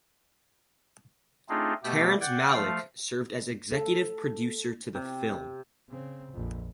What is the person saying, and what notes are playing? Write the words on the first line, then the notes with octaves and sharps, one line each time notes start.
Terrence Malick served as executive producer to the film.
A3 C4 D4 D#4 F4 G#4
B2 A3 B3 G4
D5 F#5 G5 G#6
F3 A3 F5
A4
C3
C#3 C4
A#1 F2